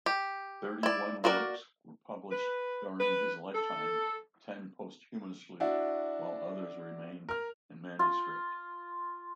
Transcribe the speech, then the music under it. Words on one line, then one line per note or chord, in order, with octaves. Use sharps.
Thirty-one works were published during his lifetime, ten posthumously while others remain in manuscript.
G4
E4 D5
A#3 F#4 A#4 D5
B4
B4
A4
D4 E4 F#4
A#4 F6
F4